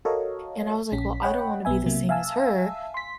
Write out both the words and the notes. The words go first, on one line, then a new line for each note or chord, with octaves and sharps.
and I was like, "Well, I don't wanna be the same as her,
F#4 A4 A#4 C#5 D#5 F5
A#1 C#4 B6
C#5 D#5 F#5 G5 B5
B1 B3 E5 G#5
C3 F#3 A#3
E5 F5 G#5 A5 E6
C6 B6